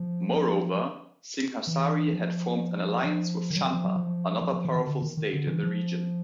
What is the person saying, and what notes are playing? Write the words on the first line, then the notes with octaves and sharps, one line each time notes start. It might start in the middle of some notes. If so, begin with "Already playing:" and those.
Moreover, Singhasari had formed an alliance with Champa, another powerful state in the region.
Already playing: F3
E3
F3
F3
D#3
F#3
F3
F3
F#3
F3
F3
F3
E3
D#3
D3
D#3
D#3
D3
E3
F3